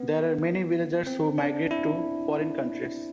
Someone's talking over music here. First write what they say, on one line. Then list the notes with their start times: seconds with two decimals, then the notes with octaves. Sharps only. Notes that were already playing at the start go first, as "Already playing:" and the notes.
There are many villagers who migrate to foreign countries.
Already playing: B3
1.07 C4
1.38 D4
1.71 E4